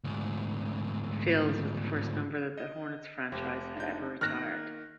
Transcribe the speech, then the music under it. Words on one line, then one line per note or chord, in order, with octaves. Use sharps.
Phills was the first number that the Hornets franchise had ever retired.
D2 G#2
D#5
F1 G4
D4 D#4 G6
D#3 A#3 F6 F#6 A#6